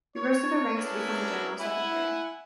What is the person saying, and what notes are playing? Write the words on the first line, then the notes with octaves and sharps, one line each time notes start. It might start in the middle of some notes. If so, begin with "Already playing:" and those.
He rose through the ranks to become the General Secretary.
C#5
B3 C#4 D4 E4 G#4 A#4
E4 F#5 G#5